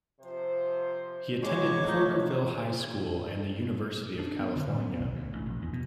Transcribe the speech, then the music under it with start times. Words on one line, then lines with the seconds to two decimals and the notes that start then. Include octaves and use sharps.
He attended Porterville High School and the University of California.
0.21 C3 F3 C5
1.43 D#2 F#3 G#3 C#5 C#6 D6
1.84 A3 D#4 F4 F#4
4.19 D4
4.39 B3
4.56 D3
4.67 A2
4.80 B3
4.98 B1
5.15 D2
5.33 A1
5.46 A#1
5.62 E2
5.73 B2